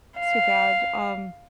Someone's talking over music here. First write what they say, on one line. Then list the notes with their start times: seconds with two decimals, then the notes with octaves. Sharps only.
too bad. Um,
0.18 F5